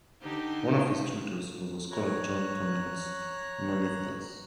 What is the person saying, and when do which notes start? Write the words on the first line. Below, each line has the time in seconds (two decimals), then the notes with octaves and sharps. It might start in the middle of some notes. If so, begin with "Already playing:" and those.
One of his tutors was the scholar John Komnenos Molyvdos.
0.22 D3 D#4 G4
1.91 C#5 A#5 F#6